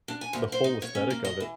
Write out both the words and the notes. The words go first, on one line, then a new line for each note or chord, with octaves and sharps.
the whole aesthetic of it.
D4
G#5
D2
C5
D#4
C#5
C#4
A#3
D#5
E3